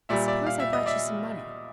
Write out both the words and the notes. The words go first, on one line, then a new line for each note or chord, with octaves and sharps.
"And suppose I brought you some money?"
A#2 G3 D5 E5
D5 E5
F5
E5
D#5
D5 E5